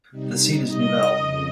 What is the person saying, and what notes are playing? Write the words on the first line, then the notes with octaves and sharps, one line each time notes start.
The seat is Nouvelle.
C3 G3 D#4
A#4 D#5
F2 C#3